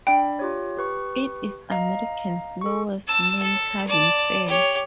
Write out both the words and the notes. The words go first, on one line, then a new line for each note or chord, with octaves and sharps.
It is American's lowest main cabin fare.
D4 D5 G5 B5
F4 G4 C#5
G4 B4 C#6
D#5 F5 A#5
A4 C#6
A5 E6
A4
D5 A5
G4 C#5